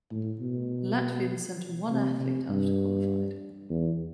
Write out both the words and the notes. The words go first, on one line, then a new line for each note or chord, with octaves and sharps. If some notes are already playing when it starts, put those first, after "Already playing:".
Latvian sent one athlete after qualified.
A2
B2
C3
C3
G2
E2